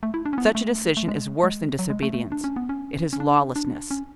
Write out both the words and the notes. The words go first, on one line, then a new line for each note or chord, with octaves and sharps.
Such a decision is worse than disobedience--it is lawlessness.
A3
E4
D4
C#4
B3
A3
A3
G#3
G#3
F#3
G#3
A3
A3
D4
C#4
B3
C#4
C#4
D4
D4
C#4